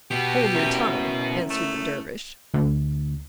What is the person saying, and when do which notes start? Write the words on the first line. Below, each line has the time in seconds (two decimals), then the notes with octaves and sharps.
"Hold your tongue," answered the Dervish.
0.11 B3 F#4 G4
0.55 C#4 E4 A#4
1.50 A3
2.54 D2